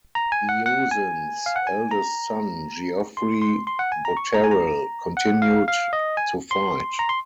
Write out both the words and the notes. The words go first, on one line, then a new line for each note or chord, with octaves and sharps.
Eozen's eldest son Geoffrey Boterel continued to fight.
A#5
G#5
F#5
F#5
G#5
F5
F#5
G#5
A#5
C6
C6
C6
F#5
G#5
A#5
C#6
A#5
G#5
A#5
F#5
F5
F5
D#5
G#5
C6
A#5
C6